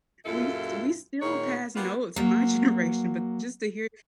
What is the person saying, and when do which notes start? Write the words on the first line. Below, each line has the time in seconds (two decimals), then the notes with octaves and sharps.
We st we still pass notes in my generation, but just to hear
0.24 F#2 A#2 G#3 E4 F4 A4
1.20 A#2 D#3 G#3 C#5
1.75 A#3 B3 D4 F4 G4
2.16 F#3 A#3